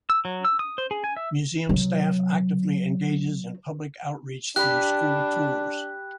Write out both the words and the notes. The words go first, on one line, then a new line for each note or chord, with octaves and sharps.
Museum staff actively engages in public outreach through school tours.
E6
F#3
E6
D#6
C5
G#4
G#5
E5
C3 F#3
D4 G4 B5 F#6